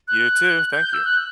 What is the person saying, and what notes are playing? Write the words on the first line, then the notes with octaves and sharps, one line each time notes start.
You, too. Thank you.
F#6
G6
E6
F#6